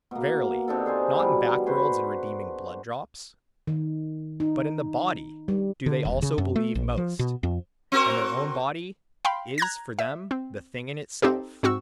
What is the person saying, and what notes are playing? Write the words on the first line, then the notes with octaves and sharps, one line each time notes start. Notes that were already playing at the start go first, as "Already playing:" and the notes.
Verily, not in backworlds and redeeming blood-drops: but in the body do they also believe most; and their own body is for them the thing-in-itself.
B2 A#3
C3 D4 D#4 A4
G#4 C5 G#5
B2 E3 G3
F#4 B4 C5 G#5
D#3
D#4
G3
D3
D#1
C#3
F#2
A3
A#1
F3
B2
F2
C4 F#4 A#4
F5 G5 B5 C6
A#5 F#6 G#6 A#6
E5
C4
C4 D#4 G4 A4
G#2 C4 F#4 C#6 E6